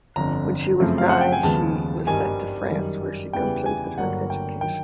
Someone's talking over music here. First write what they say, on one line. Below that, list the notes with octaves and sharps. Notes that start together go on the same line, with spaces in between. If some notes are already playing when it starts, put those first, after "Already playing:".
When she was nine she was sent to France where she completed her education.
G1 F2 D3 A#5
F#2 C#3 F3 A3 C4
F5
F#5
G5
G#5
D#2 C#3 F3 G#3 B3 A5
G#1 G2 D#3 G3 G#5
F#2 D#3 G3
E2 C#3 E3 G3 B3 G5
G#5
G1 G2 D3 F#3 A#3 F#5
G5
D#3 F#3 G5